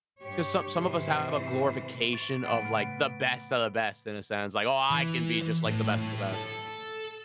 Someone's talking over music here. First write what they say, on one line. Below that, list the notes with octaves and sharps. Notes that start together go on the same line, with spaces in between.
'cause, some some of us have a glorification of, like, the best of the best in a sense, like, "Oh, I can be just like the best of the best."
G2 G4 C#5
G#2 C3 E3 C5
C#6 A6 D7
A2 F3 A3 B3 B5 D7
C#3
E3
A2
A2
A4